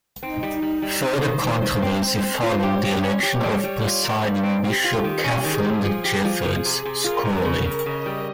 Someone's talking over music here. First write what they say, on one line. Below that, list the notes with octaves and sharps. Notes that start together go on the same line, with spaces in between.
Further controversy followed the election of Presiding Bishop Katharine Jefferts Schori.
C4 D#4
G3
G3
G3
C3 C5
D#3
D#3
D#3
C4
C4
C4
F4
G4 C#5
G4
C#4 C#5
G4
G3
G3
F4
A#3
G3
C4
C4 G4
F4
D#3
C#4
D#3 G#4
C3
F3
G4
F3
F3
C3
C3
F4 A#4
C3
C#3
C#3
C#3 D#5
G3